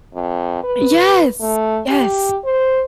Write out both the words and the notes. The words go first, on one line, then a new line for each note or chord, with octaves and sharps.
Yes. Yes.
F2
B4
A3
G4
C5